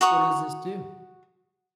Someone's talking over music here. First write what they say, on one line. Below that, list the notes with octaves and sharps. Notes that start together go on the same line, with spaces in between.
What does this do?
F#4 A#5 C#6 D#6